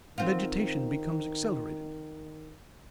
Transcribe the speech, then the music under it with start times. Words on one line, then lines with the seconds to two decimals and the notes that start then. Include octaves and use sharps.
Vegetation becomes accelerated.
0.18 D#3 C4 F4